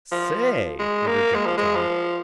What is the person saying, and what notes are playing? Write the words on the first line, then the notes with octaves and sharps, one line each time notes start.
"Say," interjected Tom.
F3
G#3
A#3
G#3
F3
G#3
F3